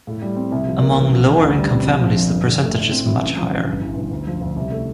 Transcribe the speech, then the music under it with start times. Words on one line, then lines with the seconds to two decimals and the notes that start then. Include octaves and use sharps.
Among lower income families the percentage is much higher.
0.07 A2
0.22 G3
0.36 C4
0.52 C2
0.66 F3
0.81 A#3
0.97 A1
1.12 F3
1.26 A1
1.42 D2
1.57 G3
1.72 C4
1.86 A#1
2.01 F3
2.16 A#1
2.31 G1
2.46 D3
2.62 A3
2.77 A2
2.92 C4
3.06 E4
3.22 A1
3.37 F3
3.52 A1
3.66 G1
3.81 E3
3.97 G1
4.11 D2
4.27 F3
4.41 D2
4.56 C2
4.71 A3